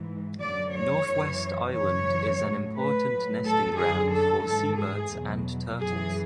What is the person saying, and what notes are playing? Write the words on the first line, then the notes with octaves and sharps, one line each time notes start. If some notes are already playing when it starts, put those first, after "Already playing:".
North West Island is an important nesting ground for seabirds and turtles.
Already playing: G#2 E3
F#2 D3 F#3 D5
C#5
F#2 E3
F#2 C#3 E3 C#5
A2 F#3
B4
A2 F#3
A4
F#2 D3 F#3 G#4
A4
G#2 E3 A4
G#4
E2 B2 F#3
F#2 E3 G#4